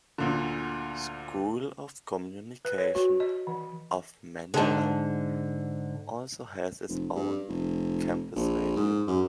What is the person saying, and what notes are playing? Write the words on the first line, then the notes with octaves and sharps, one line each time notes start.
School of Communication of Manipal also has its own campus radio.
D2 A#2 D3
B4
C#5
F#4
D#5
E3
G#2 D3 G#4 A5
F1
G2
F1
A#1
G#2
F#2